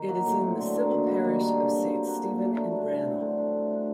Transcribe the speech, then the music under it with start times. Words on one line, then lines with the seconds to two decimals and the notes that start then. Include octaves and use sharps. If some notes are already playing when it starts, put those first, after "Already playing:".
It is in the civil parish of Saint Stephen-in-Brannel.
Already playing: D#3 A#4
0.09 F#3 A#3 F#4
0.26 A2
0.41 F#3 C4
0.57 D3
0.74 F#3 A#3
0.91 D#3
1.07 G3 A#3 F#4
1.24 D#3
1.40 G3 A#3 D4
1.57 D3
1.73 F#3 C4
1.89 G3
2.06 A#3 F#4 A4
2.22 A#2
2.38 F#3 A3
2.56 D3
2.72 G3 D4
2.89 A2
3.05 F#3 C4 F#4
3.20 D3
3.37 A3 D4
3.53 A3
3.70 D4 F#4